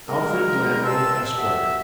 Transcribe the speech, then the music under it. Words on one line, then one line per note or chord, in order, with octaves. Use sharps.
'Alfred Lammle, Esquire.
D#2 C#3 G3 G#3 A#4
A#2 E3 C4 A5 C6 E6
F#4 G4 A4 D#5 E5